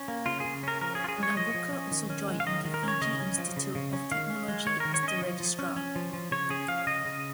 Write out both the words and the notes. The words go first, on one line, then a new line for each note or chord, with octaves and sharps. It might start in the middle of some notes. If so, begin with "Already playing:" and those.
Nabuka also joined the Fiji Institute of Technology as the Registrar.
Already playing: C#4
A#3
C#3 F4
C#3 G#4
C#4 A#4
F3 A#4
G#4
C#4 F4
G#4
G#3 C#5
F3 D#5
F3
C#4
D#3
C#4
G#3
F5
D#3 D#5
D#3
A#4
C#4 C#5
C#3 D#5
C#4
F3
C#3
C#3
C#4
D#3 F5
C#4
G#3
D#3 C#5
D#3 A#4
C#5
C#4 D#5
F3
F3
C#4
C#4
F3
F3
C#3 C#5
C#4 G#4
F3 F5
C#3 D#5
C#3